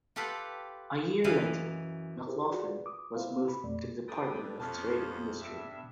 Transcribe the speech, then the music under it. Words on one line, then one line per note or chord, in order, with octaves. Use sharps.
A year later, McLoughlin was moved to the Department of Trade and Industry.
F4 G4 A4 B4 F5 F#5
F#2 E3 D#5 F5 G#5
E4 G4 G#4 A#4 C5
F4 F#4 G#4 A#4 B4 D5
D6 D#6
B3 E4 B4 C5 F5
C4 B5
F2 B2 A3 D5
G2 A4 B4 D5 G5 D#6
F2 B2 A#3 B3 C#4 A5 F6
G2 E5